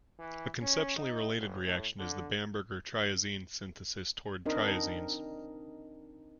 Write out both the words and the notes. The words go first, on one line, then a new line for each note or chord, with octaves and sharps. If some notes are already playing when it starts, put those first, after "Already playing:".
A conceptually related reaction is the Bamberger triazine synthesis towards triazines.
E3
C#4
D#4
F#1
A2
D3
C4 D4 D#4 A#4 D#5